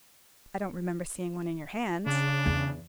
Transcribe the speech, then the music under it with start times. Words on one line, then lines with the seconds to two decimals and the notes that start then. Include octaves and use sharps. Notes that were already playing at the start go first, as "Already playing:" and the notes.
"I don't remember seeing one in your hand."
2.06 C#3 D4
2.46 E2